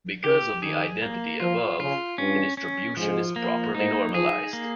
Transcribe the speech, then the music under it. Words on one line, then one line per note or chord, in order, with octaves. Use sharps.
Because of the identity above, the distribution is properly normalized.
C#3 G4
D#3 G#4
A#3
F3 F4
C#3 F4
G2 C#4
C#4
G#2 F3
A#3
G#2 D#4
F3 G#4
A#3